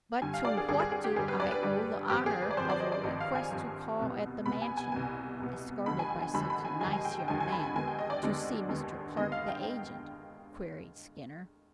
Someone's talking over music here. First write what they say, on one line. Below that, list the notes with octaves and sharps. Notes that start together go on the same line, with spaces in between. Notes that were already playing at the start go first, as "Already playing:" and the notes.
"But to what do I owe the honor of a request to call at the Mansion, escorted by such a nice young man, to see Mr. Clark, the agent?" queried Skinner.
G2 D3 G3 G#5
F5
D5
G#4
G2 D3 G3 G#4
G#4
G#4
G4
G2 D3 G3 G#4
B4
D5
B4
G2 D3 G3
G#1 G2 F3 C4 G4
G#4
B4
D5
G#1 G2 F3 C4 C5
D5
D#5
D5
G#1 G2 F3 C4 D#5
F5
G#5
G#1 G2 F3 C4
C2 B2 B3
C2 B2 B3 B5
G#5
G#5
C2 B2 B3 G#5
C2 B2 B3
D#2 D3 F3 G#3 B5
G#5
G#5
G#5
D#2 D3 F3 G#3 B5
B5
G#5
D#2 D3 F3 G#3 G#5
G#5
G5
D#2 D3 F3 G#3 G#5
G#5
B5
G#5
D#2 D3 G#3 B3 G#5
G5
D#5
D5
D#2 D3 G#3 B3
D#2 D3 G#3 B3
D#2 D3 G#3 B3 D#5
F5
G5